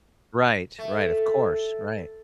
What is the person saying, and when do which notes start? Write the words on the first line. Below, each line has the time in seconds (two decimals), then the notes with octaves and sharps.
Right, right, of course, right.
0.79 A3